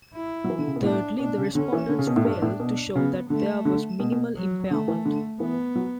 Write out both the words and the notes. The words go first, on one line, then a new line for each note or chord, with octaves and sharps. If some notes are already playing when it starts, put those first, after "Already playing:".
Thirdly, the respondents failed to show that there was "minimal impairment".
E4
F#3
E3
D3
C#3
B2
A2 D4
B2 D4
C#3
D3 C#4
E3
D3
C#3
B2
A2
G2 D4
A2
B2
C#3 B3
D3 A3
D3
B2
B2
F#3
D3 A3
E3
D3
E3 B3
F#3